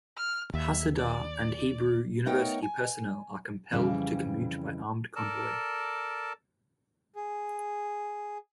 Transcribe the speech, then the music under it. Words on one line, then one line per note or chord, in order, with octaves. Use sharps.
Hadassah and Hebrew University personnel are compelled to commute by armed convoy.
F6
D#2 E5
D5
A3 B3 D#4 A#4 C#5 G5
G#5
F2 C#3 E3 G3
A4 A#4 D5 A5
G#4